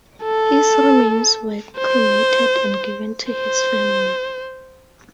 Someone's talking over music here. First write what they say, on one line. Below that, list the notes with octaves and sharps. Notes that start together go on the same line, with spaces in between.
His remains were cremated and given to his family.
A4
C5
C5